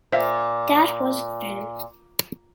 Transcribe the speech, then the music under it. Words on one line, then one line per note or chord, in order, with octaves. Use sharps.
That Was Then...
A#2 C5 E5 F5